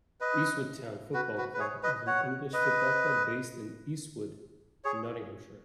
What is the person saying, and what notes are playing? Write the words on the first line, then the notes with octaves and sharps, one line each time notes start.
Eastwood Town Football Club was an English football club based in Eastwood, Nottinghamshire.
B4 D#5
F#4 B4
F#4 B4
B4
G#4 C#5
B4 D#5
C#5 F#5
B4 D#5
G#4 C#5